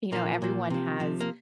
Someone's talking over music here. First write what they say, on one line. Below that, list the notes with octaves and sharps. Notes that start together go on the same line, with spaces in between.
you know, everyone has
A#2 F3 A#3
A#2 F3
C3 F3
C3 F3
A#3